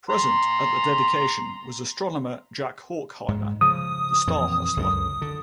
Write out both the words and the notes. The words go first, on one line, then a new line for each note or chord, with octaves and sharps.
Present at the dedication was astronomer Jack Horkheimer--The Starhustler.
A#5 C6
G#2
C#3 F3 D#6
F2 A#2 E3
C#2 F#2 D3
D3